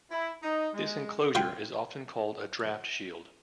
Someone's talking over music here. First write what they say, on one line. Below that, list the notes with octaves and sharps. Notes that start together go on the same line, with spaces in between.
This enclosure is often called a draft shield.
E4
D#4
G#3
F4 G5 C6